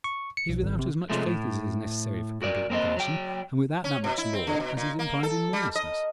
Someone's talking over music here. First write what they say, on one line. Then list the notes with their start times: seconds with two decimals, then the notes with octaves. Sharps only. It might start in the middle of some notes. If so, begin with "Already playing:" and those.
He's without as much faith as is necessary for complete negation, and without that much law as is implied in lawlessness.
0.04 C#6
0.37 C#7
0.49 B1
0.62 G#1
0.79 C3
1.10 C3 F3 G#3 A3
1.26 A2
2.42 F#4 A#4 D5
2.70 A#3 C4 F#4 D#5
2.96 F#3 G5
3.84 C#4
4.04 B2
4.18 E4
4.33 C4
4.47 D3
4.60 B2
4.77 A#2
4.99 A#3
5.23 A4
5.53 G3
5.75 D#5